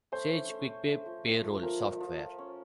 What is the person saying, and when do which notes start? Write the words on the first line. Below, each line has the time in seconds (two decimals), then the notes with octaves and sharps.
Sage QuickPay payroll software.
0.12 A3 C5
0.31 C#4
0.50 A3
0.69 C#4
0.88 A3
1.06 F3
1.26 F3
1.43 A3
1.62 F3 A#4
1.82 F3
2.01 F3
2.20 F3
2.38 C#4